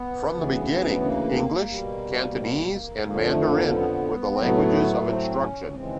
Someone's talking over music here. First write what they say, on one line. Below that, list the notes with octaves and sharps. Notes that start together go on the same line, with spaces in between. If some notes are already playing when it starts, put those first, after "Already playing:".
From the beginning, English, Cantonese, and Mandarin were the languages of instruction.
Already playing: B3
D2 C#3 E3
A#3
B2 G3
F2 D3 F3 A#3
A#3
A3
A#3
B3
C4
A2 F#3 A3 B3
C4
C#4
D#2 C#3 E3 G#3 C4